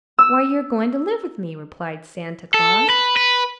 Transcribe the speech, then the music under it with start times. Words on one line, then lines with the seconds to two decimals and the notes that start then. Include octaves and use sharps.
"Why, you are going to live with me," replied Santa Claus.
0.19 E6
2.54 A4
2.90 B4
3.17 B4